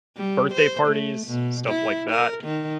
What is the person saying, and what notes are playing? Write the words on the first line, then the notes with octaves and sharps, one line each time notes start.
birthday parties, stuff like that.
G3
C5
A3
B2
E4
A#4
D#3